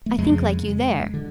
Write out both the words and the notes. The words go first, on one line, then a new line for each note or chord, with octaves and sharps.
I think like you there.
A3
F2 C#3 G#3
D3